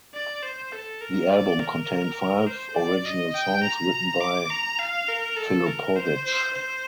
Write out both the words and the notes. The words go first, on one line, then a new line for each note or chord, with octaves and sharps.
The album contained five original songs written by Filipowicz.
D5
C5
A4
A#4
D5
A#4
C5
D5
D#5
G5
A#5
D6
A#5
F5
A#4
A4
A#4
C5
C5
C5